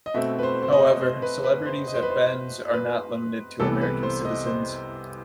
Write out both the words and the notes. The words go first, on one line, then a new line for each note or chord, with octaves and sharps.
However, celebrities at Ben's are not limited to American citizens.
D#5
B2 A3 C4 E5
B4
C5
C5
D#5
C5
B4
B4
C5
D#5
C5
B4
C5
B4
C2 C3 E3 B3 A4
B4
C5
D#5
C5